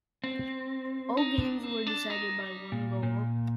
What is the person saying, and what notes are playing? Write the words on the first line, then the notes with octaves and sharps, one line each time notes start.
All games were decided by one goal.
C4
D#4
D4
C4
D4
D#4
G3
A#2
A#2